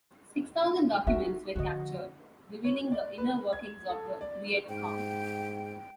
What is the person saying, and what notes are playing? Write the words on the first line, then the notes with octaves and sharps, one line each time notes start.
Six thousand documents were captured, revealing the inner workings of the Viet Cong.
D#4 F#4 A#4 E5
D3 F3 F#4 D#5
C#5
D5
B4
G#6
A4
D5
G#2 G5